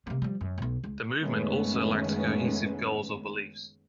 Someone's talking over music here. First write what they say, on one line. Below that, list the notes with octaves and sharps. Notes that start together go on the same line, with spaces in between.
The movement also lacked cohesive goals or beliefs.
C3 A#3
F3 G3
F#2
B1 B2
C#2
F#1 D#3 G#3 A3 B3 C#4